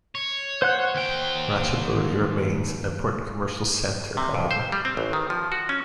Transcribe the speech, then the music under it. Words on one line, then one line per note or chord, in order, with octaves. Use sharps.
Ratchaburi remains an important commercial centre, however.
C#5
C5 F#5 F#6
D#2 G5
C3
F2
C5
G3
C4
A1
D#3
F3
F#4
C#4